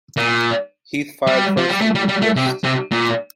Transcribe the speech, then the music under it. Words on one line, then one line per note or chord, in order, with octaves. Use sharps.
Heath fired first and missed.
A#2
G3
F3
G3
A3
G3
G3
A3
C3
C3
A#2